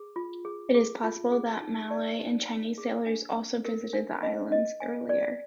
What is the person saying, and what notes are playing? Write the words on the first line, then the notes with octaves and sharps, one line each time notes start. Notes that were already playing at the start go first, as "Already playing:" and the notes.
It is possible that Malay and Chinese sailors also visited the islands earlier.
Already playing: G#4
F4
G#4
G#4
F4
G#4
D#4
D5
D#4
D#4
G#4
D4
D4
A#4
D4
D#5
D#5
G#5
D5